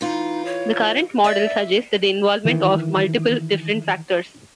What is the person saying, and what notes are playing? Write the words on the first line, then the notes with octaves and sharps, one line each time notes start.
The current model suggests the involvement of multiple different factors.
E3 D#4 F4
C#5
D5 E5
D#3 E3